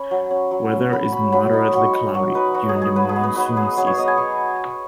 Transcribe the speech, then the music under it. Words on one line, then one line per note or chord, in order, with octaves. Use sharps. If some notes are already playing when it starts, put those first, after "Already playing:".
Weather is moderately cloudy during the monsoon season.
Already playing: C#4 B5
F#3
C#4
F#3
C#4
F#3 B5
C#4 B5
F#3 B5
D#4
F#3 C#6
D#4 C#6
F#3 C#6
D#4 B4
F#3 F#4
G#4
D#4
G#4
F#3 B4
G#4
B3 D#4
B4
F#3 B4
B3 D#4 G#4
F#3 G#4
C#5
B3 D#4 D#5
G#5
F#3 C#6